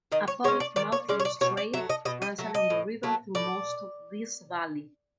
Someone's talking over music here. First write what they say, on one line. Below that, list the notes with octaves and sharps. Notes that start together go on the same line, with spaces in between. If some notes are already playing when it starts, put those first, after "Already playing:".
A public multiuse trail runs along the river through most of this valley.
D#3 D#5
C#5
G#3 C#4 C#5
D5
D#3 D5
C#5
G#3 C#4 D5
C#5
D5
B2 C#5
D5
F#3 A3 E5
D#5
B2 D#5
D#5
F#3 A3
D#5
A2
F#3 A3
A2 D5